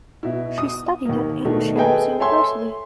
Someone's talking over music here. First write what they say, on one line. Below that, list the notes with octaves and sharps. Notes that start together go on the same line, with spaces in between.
She studied at Ain Shams University.
B2 E4
D#6
D#2 A#3
B2 D#3 A3 D4
G#4 A4 B4 D#5 G5 G#5
A4 C#5 E5 G#5 C6